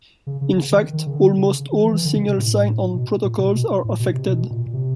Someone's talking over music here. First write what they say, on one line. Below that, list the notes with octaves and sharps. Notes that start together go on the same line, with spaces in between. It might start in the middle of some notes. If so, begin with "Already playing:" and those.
In fact, almost all Single sign-on protocols are affected.
C#3
C#3
C#3
D#3
D#3
C#3
D3
C#3
D#3
E3
E3
D3
C#3
C3
A2
B2
A#2
C3
A#2
B2
A2
B2
C3
B2
A#2
C3